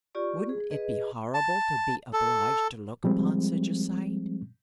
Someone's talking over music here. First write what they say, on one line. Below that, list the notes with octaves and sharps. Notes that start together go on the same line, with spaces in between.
Wouldn't it be horrible to be obliged to look upon such a sight?
F4 G4 D5 C#6
G#4
G#4 B4 D#5
A5
A4
F3 G3 G#3 C4